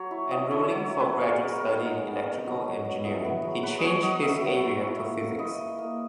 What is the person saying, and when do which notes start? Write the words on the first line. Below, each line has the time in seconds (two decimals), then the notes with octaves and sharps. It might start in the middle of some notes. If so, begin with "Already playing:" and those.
Enrolling for graduate study in electrical engineering, he changed his area to physics.
Already playing: F#3 C#5
0.11 E4
0.31 F#3 D#5
0.51 E4 C#5
0.70 F#3 C#5
0.90 F#3
1.00 B4
1.09 F#3
1.29 G#3 A#4
1.49 B3
1.58 A#4
1.68 D#4
1.88 G#3
2.07 B3
2.27 D#4
2.46 F#3
2.66 F#3
2.85 F#3
3.04 E4 G#4
3.25 B3
3.44 F#3
3.63 F#3 B4
3.78 F#3 C#5 D#5
4.02 F#3 D#5
4.22 B3 E5
4.41 F#3
4.61 F#3
4.81 E4
5.00 A#3
5.20 A#3
5.39 E4 D#5
5.59 E4
5.78 A#3